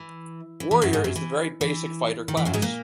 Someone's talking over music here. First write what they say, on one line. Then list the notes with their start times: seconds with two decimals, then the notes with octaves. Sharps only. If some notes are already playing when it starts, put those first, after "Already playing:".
Warrior is the very basic fighter class.
Already playing: E3
0.60 E3
0.71 E3
0.82 F#2 F#3
0.93 G#2 G#3
1.04 F#2 F#3
1.16 E3
1.61 E3
2.28 D#3
2.37 E3
2.45 F#2 F#3
2.53 G#2 G#3
2.62 A#2 A#3